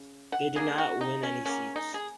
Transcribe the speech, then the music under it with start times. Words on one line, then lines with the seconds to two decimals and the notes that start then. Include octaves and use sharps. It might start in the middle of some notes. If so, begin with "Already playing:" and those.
They did not win any seats.
Already playing: C#3
0.32 F#5
0.55 C#3 F#3 A#3 G#4
0.78 F#4
1.01 D#4
1.23 C#4
1.45 C#3 F#3 A#3 C#4
1.76 D#4
1.94 G#4